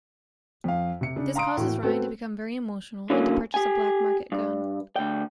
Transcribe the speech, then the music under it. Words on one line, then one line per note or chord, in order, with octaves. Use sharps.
This causes Ryan to become very emotional, and to purchase a black market gun.
F2 F5
C3 C#7
C#3 D4
F5 A#5 C6 D#6 D7
A2 E3 F#4
B3 C4 F#4 A4
D3 E3 F#3 A#3 C#4
G4 G#5
G2
D2 G5